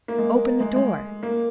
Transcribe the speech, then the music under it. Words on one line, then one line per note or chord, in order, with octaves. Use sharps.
Open the door.
A#3
G#3
G#3
G#3
A#3